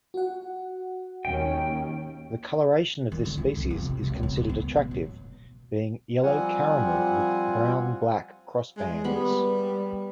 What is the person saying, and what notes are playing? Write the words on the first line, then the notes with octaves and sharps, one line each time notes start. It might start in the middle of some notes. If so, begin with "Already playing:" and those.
The colouration of this species is considered attractive, being yellow-caramel with brown-black cross bands.
F#4 F#5
D#2 C#4 G5
D#3
D3
E4
C2
F2
C3
C#2
B2
D2
B3
B2
F#3
F3 G3 C4 F4 F#5 G#5
G#3
G3 B3 B5